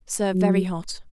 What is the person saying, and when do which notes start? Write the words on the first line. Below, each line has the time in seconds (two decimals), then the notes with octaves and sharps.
Serve very hot.
0.34 F#3